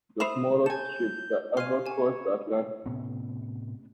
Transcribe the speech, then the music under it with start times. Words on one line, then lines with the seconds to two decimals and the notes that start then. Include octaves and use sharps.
The Smallest Ship that Ever Crossed the Atlantic!
0.20 C5 E5 B5 D#6 E7 F7
0.66 A4 G#5 G6 E7
1.57 F5 G#5 C6 D#7
1.86 G4 C#5 G#5
2.86 A2 C3 B3 C#4